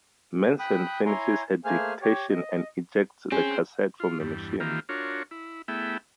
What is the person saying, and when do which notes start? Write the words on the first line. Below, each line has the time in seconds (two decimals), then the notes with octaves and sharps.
Manson finishes her dictation and ejects the cassette from the machine.
0.59 G5 B5 D#6 F#6
1.06 E4 C#5 G#5 A#5 C6
1.65 A3 A#3 G#4 C5 G#5 F6
2.02 G4 C#5
2.30 D#5
3.32 C4 C#4 G#4
4.00 F4
4.20 E2 G2
4.60 D#3 E3 A#3 F4 G4
4.89 D4 F4 F#4 A#4 C#5
5.31 E4
5.68 A3 B3 E4 G#4 E5 G5